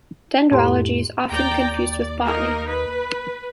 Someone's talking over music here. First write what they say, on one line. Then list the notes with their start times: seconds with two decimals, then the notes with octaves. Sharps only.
Dendrology is often confused with botany.
0.52 F2 A2 G4 C6
1.31 D#2 D5 G5 A#5
1.74 D5
2.23 A#3 D#4 A#4
2.67 B4